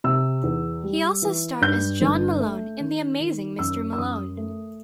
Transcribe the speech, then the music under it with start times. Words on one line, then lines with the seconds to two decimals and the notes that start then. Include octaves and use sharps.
He also starred as John Malone in "The Amazing Mr. Malone".
0.04 C3 E6
0.43 E2
0.83 G3
1.22 E3
1.62 G2 G6
2.02 G1
2.40 A3
2.80 D#3
3.20 D#3
3.59 F#2 E6
3.93 E6
3.98 F#2 D#6
4.37 A3